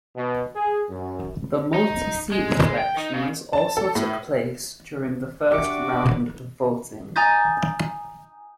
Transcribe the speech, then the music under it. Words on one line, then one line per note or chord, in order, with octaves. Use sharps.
The multi-seat elections also took place during the first round of voting.
B2
G#4
F#2
D#4
G#3
G5
D#4
C#3
A5
A4
A2
D4 F#4 G4 E5 D6 C#7
G#5 A#5 D#6 G6 A6